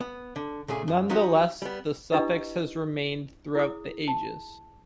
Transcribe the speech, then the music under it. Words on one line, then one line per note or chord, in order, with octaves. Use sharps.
Nonetheless, the suffix has remained throughout the ages.
B3
D3
A#2 C#3 A3 G#4
F#2
F3 F#3 D#4 F#4 G4
G3 B3
D4 E4 G4 B4 D#5
E4 G#4 D#6
A5